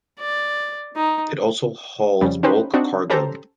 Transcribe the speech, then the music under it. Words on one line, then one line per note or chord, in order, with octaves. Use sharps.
It also hauls bulk cargo.
D5
D#4
F2 C#3 G3
C#4 D#4 G4 B4 C5
C4 D4 D#4 F#4
C#4 G4 A4 C5 A#5